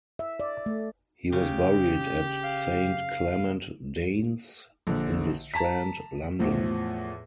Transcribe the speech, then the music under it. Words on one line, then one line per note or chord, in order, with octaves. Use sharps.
He was buried at Saint Clement Danes in The Strand, London.
E5
D5
A3
C#3 G4
F5
A#1 D3
A5 A#5 B6
E2 A2 F3